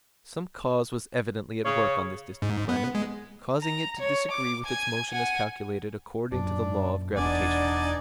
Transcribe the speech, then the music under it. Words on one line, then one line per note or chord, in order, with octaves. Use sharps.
Some cause was evidently at work on this distant planet, causing it to disagree with its motion as calculated according to the law of gravitation.
C#3 C#5
G#2
B3
G#3
A#5
C#5
D6
G#5 G#6
F#5 G#5
F#2 A#2 D4 D5
E1 E2 B3 D4 D#4 D5 G#5 D6